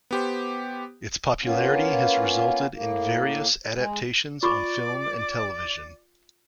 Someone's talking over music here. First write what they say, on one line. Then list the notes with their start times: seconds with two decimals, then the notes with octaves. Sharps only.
Its popularity has resulted in various adaptations on film and television.
0.11 B3 G4 C5
1.43 A#3 B3 C#4 F4
2.74 A2 A#3
3.75 G#3
4.43 F4 D5 C#6 D6